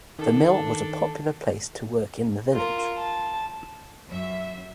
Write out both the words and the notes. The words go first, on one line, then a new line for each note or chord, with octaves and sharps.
The mill was a popular place to work in the village.
D#3 D4 A4
F4 A#4
A5
F#2 E5